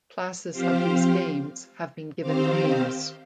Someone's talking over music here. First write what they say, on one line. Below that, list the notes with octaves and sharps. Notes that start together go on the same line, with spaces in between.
Classes of these games have been given names.
F3 C4 G4 C5 F5
D#3 C4 G4 C5 F5